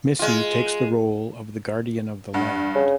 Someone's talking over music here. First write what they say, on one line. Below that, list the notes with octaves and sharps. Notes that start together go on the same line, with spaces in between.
Missy takes the role of the guardian of the land.
G#3 F4
G2 F#5
C#3